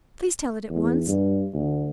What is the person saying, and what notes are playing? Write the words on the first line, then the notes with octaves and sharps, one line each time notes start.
'Please tell it at once.
E2
G2
D2